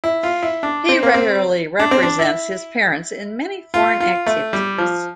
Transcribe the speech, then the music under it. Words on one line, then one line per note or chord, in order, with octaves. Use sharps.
He regularly represents his parents in many foreign activities.
E4
F4
E4
D4
C4
A#3
C4
D4
C4
D4
E4
F4
F4
A3
G3
F3